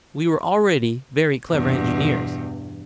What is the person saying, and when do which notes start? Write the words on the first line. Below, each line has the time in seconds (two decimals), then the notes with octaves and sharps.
We were already very clever engineers.
1.51 E2 G2 B2